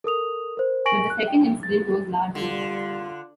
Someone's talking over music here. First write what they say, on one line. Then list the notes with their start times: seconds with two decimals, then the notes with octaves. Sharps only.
But the second incident was larger.
0.04 A4 A#4 D#6 F7
0.57 A#4 C5
0.85 A#4 G#5 C#6 A#6 D7 F#7
1.10 F#6
1.28 G5
1.63 A6
2.35 D3 G3 F4